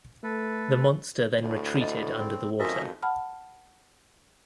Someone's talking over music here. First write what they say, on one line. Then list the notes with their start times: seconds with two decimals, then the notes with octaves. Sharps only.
The monster then retreated under the water.
0.23 A3 A4 B4
1.41 D2 A2
1.81 D#5
2.18 C4
2.60 F2 G#2 C#4 E4 F#4 A#4 D#5 E5
3.02 F#5 A5 B5 F6